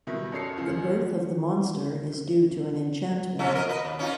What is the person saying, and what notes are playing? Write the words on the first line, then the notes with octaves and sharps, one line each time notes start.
The birth of the monster is due to an enchantment.
B2 D#3 F#3 G3 E4
F#2 D#4 A4 C#5 C7 C#7
C#2 F3
F3 G#3 C#4
A#4 D#5
B4 D#5
D#2
C#4 D#4 F4